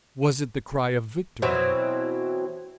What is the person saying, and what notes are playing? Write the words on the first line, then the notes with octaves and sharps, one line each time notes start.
Was it the cry of victory?
B2 E3 F#3 C4